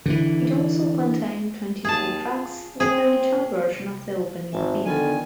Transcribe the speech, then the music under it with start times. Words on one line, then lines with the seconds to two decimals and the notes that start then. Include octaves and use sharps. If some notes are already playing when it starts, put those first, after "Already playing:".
It also contained twenty-three tracks with a guitar version of the opening theme.
0.06 D3 E3
1.85 D#2 G#4 A5
2.26 F4
2.80 C4 G#4
4.52 G#1 E5 G#5 A5
4.86 D3 D#3 B3 F4 A4 G#5